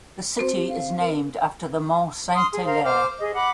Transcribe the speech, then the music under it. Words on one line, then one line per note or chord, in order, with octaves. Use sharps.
The city is named after the Mont Saint-Hilaire.
C4 F#4 C5
G4
F5
A#4
C6 D#6 F6
G#4
A#4 C5 F5
C5 D6 F6
G#4 D#5
F#5 B5 D6